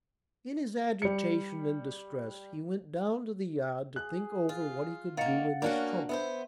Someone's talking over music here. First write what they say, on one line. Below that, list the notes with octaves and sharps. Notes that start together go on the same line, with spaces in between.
In his agitation and distress, he went down to the yard to think over what he could do in this trouble.
G3 C#7
G#4 F#6
F4
D#3 A#3 F5 F#5 A6 C#7
A#3 C#4 D4 F#4 A#4 D5
B3 A4 C5 E5